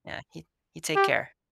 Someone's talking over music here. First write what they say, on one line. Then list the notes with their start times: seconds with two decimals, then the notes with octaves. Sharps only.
Yeah. You you take care.
0.96 G4